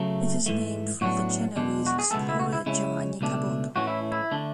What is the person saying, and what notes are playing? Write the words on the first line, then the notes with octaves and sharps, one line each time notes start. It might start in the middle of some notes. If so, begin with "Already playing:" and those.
It is named for the Genoese explorer Giovanni Caboto.
Already playing: C#3 F#3 A3
G#2 E3 A3
A2 F#3 B3 D4 F#4
E2 B2 G#3 D4
F#4
G#4
C#2 B2 G#3 A3 B3 A4
E4
F#4
E4
C#3 G#3 C#4 E4
C#2 B2 A3 D4
A2 E3 A3 C#4 F#4
E4
E4
D3 A3 D4